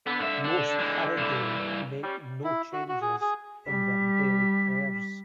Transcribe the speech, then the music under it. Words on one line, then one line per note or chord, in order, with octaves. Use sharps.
Most Haredim make no changes in their daily prayers.
D3 B3
G2 E5
D4 A4
E3 G#3
G2 E3
G3 C#4
E4
F#4
F#4
G#4
G#4
G3 B6